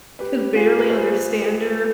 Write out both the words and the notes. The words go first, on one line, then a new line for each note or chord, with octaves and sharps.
you could barely understand her,
G4 B4
F4 G#4
B4
G#4 C5